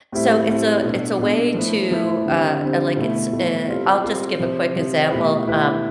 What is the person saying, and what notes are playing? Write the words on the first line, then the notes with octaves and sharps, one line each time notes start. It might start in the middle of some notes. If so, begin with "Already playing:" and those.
So it's a it's a way to, uh, uh, like it's, uh, I'll just give a quick example, um,
A2 G3 C4 E4 A4
A2 G3 C4 E4 A4
B2 B3 D4 A4
B2 B3 D4 A4
F3 A3 E4 B4
F3 A3 E4 B4
D3 G3 C4
D3 G3 C4
B2 A3 E4
B2 A3 E4
G3 C4 F4 A4
G3 C4 F4 A4
C3 F3 C4
C3 F3 C4
B2 A3 E4 G4 B4
B2 A3 E4 G4 B4